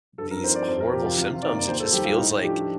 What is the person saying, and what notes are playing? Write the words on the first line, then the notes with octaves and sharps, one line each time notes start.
these horrible symptoms, it just feels like,
G2 A4
A#4
F3 C4 D#4 C5
D5
F2 C5
A#4
C3 F3 G4
F4
C3 F4
F4
D#3 A#3 D5
D5
D#2 C5
A4
D#3 G3 G4
F4
A2 D#4
F3 A3 D4 G4